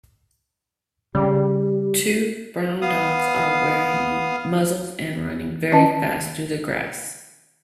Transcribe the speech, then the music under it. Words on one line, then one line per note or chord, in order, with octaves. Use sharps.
Two brown dogs are wearing muzzles and running very fast through the grass.
C#3 G3 G4
B3 F5 D#6
D#3 C#4 D#5 A5